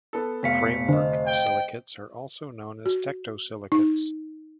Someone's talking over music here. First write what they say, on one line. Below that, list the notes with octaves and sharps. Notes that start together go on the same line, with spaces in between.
Framework silicates are also known as tectosilicates.
B3 A4
F1 B3 F5 B6 C#7
D3 C5 D#5
G5
F#4
D#4